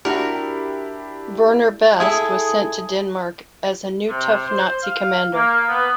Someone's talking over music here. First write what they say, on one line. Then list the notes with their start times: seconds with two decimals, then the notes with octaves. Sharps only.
Werner Best was sent to Denmark as a new tough Nazi commander.
0.05 D4 E4 F#4 G4 A#4
2.00 E4 G#4 A4 D#6 G#6
4.09 C3
4.44 C5
4.83 F5
5.33 A#3
5.68 B3